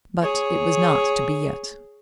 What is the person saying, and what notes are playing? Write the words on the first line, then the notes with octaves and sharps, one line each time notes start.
But it was not to be yet.
G#4 C#5